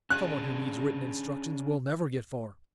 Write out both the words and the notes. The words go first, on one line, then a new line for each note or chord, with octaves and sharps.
Someone who needs written instructions will never get far.
C#4 D4 G#4 F#6